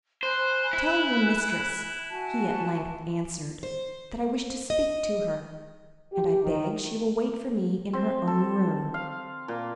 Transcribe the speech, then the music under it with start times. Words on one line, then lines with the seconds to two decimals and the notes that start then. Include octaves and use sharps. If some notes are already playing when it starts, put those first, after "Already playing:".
"Tell your mistress," he at length answered, "that I wish to speak to her, and I beg she will wait for me in her own room."
0.23 C5 G#5 B5 F#6
0.73 E4
2.10 F#4 G#5 A5
3.63 C5
4.70 D#5
6.12 G4
6.43 D#3
7.93 C4
8.27 A4
8.94 F5
9.48 A#2